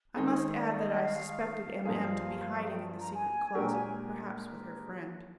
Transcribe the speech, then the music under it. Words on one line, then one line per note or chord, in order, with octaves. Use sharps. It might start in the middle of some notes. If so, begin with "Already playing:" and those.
I must add that I suspected M---- M---- to be hiding in the secret closet, perhaps with her friend.
D#3 G#3 D#4 G#4 C5
C5
D5
D#5
F5
F5
F5
G2 F3 A#3 F4 G#4 F5
F5
G5
A#5
G#5
A#2 G#3 D4 G4 A#4 G5
G#5